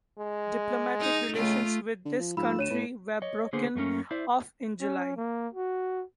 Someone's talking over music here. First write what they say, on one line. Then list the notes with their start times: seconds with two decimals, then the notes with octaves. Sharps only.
Diplomatic relations with this country were broken off in July.
0.18 G#3
1.01 D#4
1.34 C#2 A3 F4
2.05 D3
2.20 F3
2.37 G#2 F3 F4 B5 E6
2.59 D2 C#5 D#7 E7
2.71 A2 B3 B4
3.22 C#5 D#5
3.53 D3 A#3 B3 G#4 C5
3.75 F#2 A3 A#3 C#4
4.11 E4 C5 D5 E5
4.81 C#4
5.17 A#3
5.54 F#4